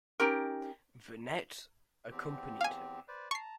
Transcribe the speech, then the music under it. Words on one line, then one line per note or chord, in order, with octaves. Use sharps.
Vernet accompanied him.
C#4 D#4 G4 A#4
E2 C4 G4
F5 G#5
B4 C5 D5
A5 A#5 C#6 C7